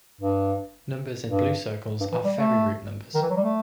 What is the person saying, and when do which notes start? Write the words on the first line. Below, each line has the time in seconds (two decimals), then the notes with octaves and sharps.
Numbers in blue circles are ferry route numbers.
0.21 G2
1.29 G2
2.00 G2
2.12 E3
2.24 G3
2.36 A3
3.15 D#3
3.22 E3
3.30 F#3
3.37 G3
3.44 A3